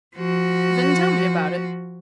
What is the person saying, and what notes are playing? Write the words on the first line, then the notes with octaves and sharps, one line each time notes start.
"Then tell me about it."
F3 F#4